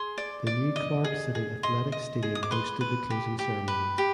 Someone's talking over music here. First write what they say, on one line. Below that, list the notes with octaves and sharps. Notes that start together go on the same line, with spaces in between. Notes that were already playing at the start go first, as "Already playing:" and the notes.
The New Clark City Athletics Stadium hosted the closing ceremonies.
Already playing: G#4 C6
D5
D5
D#5
G#4
G#4
D#5 C6
D#5
G#4
D#6
D6
B4 C6
B4
G4
G4
B4
G4